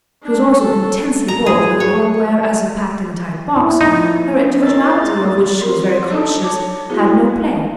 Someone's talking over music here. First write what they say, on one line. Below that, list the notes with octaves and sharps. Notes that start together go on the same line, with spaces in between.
She was also intensely bored with her home where, as if packed in a tight box, her individuality--of which she was very conscious--had no play.
D4
A4
A#5
G#4
C#5
E4
F3 A3 A#3 D#4
D#3 F4 A#5 C6 E6 A6
G#3 A6
B1 F#3 A#3 A#5 D6 D#6
C4 A#4 C6
D4 D#4 A4
C#5 A5 D6
B3 E4 F#4 G#4